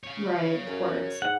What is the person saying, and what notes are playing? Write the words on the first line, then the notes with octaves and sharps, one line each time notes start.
Right, of course.
C#5 F5
F#2
G#2 F#5